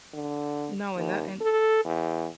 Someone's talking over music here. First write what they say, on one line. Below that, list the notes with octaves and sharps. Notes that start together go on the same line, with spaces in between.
No, and that, and
D3
D#2
A4
E2